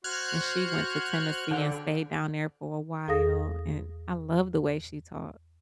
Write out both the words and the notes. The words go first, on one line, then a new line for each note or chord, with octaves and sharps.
and she went to Tennessee, and stayed down there for a while, and I love the way she talks.
F#4 C5 F#5 F6 F#6 G#6
D3 G5
E2 G#4 A4 F5 D#6 A#6